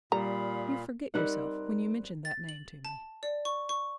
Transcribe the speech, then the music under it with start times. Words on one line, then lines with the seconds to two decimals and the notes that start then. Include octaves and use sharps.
"You forget yourself when you mention that name to me."
0.12 A#2 G3 F5 A#5 B5 D#6
1.14 G3 C4 D#4 A#4 F#5 F#6
2.25 A6
2.49 F#7
2.85 A5
3.23 D5
3.45 C#6
3.69 C#6